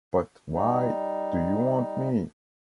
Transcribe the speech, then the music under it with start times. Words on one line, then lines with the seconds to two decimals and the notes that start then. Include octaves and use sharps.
But why do you want me?
0.54 G3 D#4